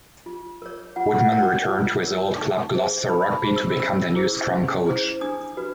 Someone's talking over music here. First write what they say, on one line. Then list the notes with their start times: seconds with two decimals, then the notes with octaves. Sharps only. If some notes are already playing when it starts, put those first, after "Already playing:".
Woodman returned to his old club Gloucester Rugby to become their new Scrum Coach.
0.26 F4
0.62 A#4 C#5
0.96 F4 F#5
1.20 F#5
1.32 A#4 C#5
1.44 G5
1.67 F4
2.03 A#4 C#5
2.38 D#4
2.74 G#4 C5
3.09 D#4 B5
3.22 C6
3.32 B5
3.44 G#4 C5
3.56 E6
3.79 C#4 E6
4.15 E4 G#4 C5
4.50 C#4
4.86 E4 G#4 C5
5.21 D4 D#6
5.57 F#4 B4